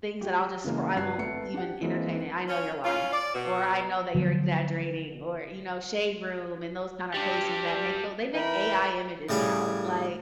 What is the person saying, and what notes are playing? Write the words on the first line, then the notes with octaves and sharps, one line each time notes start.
things that I'll just scr I won't l even entertain it, "I know you're lying," or, "I know that you're exaggerating," or, you know, shade room and those kinda places that make tho they make AI images now, like,
F#4 G4
C#3 E3 G#3 A#3
G2 F#4 F#6 G#6 C7
G#1 A3 B3 C#7
D4 G4 F#5
E3 G#3 A#3 C4
C#4
C#4 F4
D5
B2
D3 F3 F#3 B3
G3 D4
E3 A#4 G5 B5
A2 C#3 G3 G#4 B5